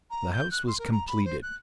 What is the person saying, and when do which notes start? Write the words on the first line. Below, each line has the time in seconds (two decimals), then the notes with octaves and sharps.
The house was completed.
0.10 A#5
0.32 G6
0.51 F#6
0.67 C6
0.78 A#4
0.91 A#5
1.07 B5
1.24 C5
1.42 F#6